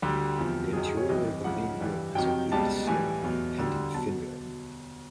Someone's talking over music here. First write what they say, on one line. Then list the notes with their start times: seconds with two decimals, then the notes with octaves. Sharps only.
The interior of the main room has a ribbed ceiling with a pendant finial.
0.02 D2 D3 G3 G4
0.38 E2 C3 F3
0.73 F#2 D#3 F#3 G#4
0.85 G#4
0.97 C#5
1.09 C2 C3 E3 D#5
1.44 C#2 C#3 F3 F#5
1.80 G2 E3 G3
2.15 F2 C3 D#3 F#3 G5
2.52 C#2 B2 G3 A5
2.87 A2 E3 G3 G#5
3.23 E2 B2 F#3
3.58 D2 D3 G3
3.94 B2 F#3 A5